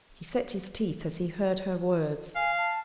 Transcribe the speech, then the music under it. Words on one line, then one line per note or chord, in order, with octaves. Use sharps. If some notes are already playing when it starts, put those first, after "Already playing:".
He set his teeth as he heard her words.
F5 G#5
A5